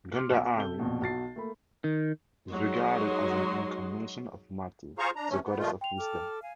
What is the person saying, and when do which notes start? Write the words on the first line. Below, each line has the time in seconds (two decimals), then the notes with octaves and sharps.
Gandhari is regarded as an incarnation of Mati, the goddess of wisdom.
0.14 C6 D6 F6
0.30 B1
0.56 C3 A4 G6 G7
0.79 A#1 F2 B2
1.01 B1 F#4 A6 C7
1.36 A3 A#3 B5
1.84 D#3
2.52 F#3 G#3 D#4 F#4 D#5 C6
4.99 F4 G#4 C5 F5 A#5 C#6
5.16 D4 A#5
5.29 C3 E3 A3 C#4
5.44 B3
5.59 G2 A#2 F3 G#3 A3 F4
5.81 G5 C6 F7
5.97 A4 D6 F6
6.42 F5 G#5